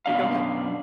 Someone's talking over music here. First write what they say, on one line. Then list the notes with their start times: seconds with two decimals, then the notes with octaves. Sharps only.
kay, go ahead.
0.06 F#2 B2 D4 F5